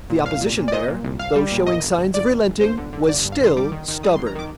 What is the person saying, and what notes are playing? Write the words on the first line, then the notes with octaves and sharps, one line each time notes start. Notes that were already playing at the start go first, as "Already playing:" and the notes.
The opposition there, though showing signs of relenting, was still stubborn.
A#2
C2 F5
A#2
A#2
D5
A#2 D#5
A#2
C2
C2 F5
G3
A#2
G1 D#5
G1
G1
G1 D5
G1
G1
G1 C5
D3
D3
G1 D5
G2
F5
D3 C6
G3 D6
D#3
D#3
G3 D#6
C6
A1
A#5
D#3 D6